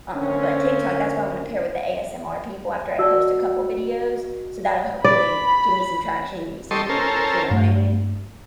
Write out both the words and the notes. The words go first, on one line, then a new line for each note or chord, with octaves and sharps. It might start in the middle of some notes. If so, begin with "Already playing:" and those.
um, but TikTok that's why I wanna pair with the ASMR people after I post a couple videos. So that'll hopefully give me some traction and give me some views, you know what I mean?
D3 A#3 C4 C#4
F#4 D5 D#5 A5 E6
D5 B5
G3 A4 D#5 C6 C#6
C#4 A4 A#4 C5
G2 A3